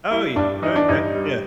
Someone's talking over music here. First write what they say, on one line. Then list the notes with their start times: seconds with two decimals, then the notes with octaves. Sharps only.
Oh, ye Okay, yeah.
0.11 G3 E4
0.36 G2 D4
0.62 E3 D#4
0.76 D4
0.89 G2 D#4
1.15 G3